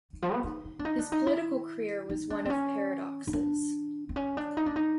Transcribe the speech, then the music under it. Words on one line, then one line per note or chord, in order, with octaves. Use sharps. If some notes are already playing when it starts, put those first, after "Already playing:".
His political career was one of paradoxes.
D#3
F3
B3
D#4
D#4
D4
D#4
D4
D#4
E4
D#4
D4
C4
C#4
D#4
D4
C4
C#4
D4
D#4
D4
D#4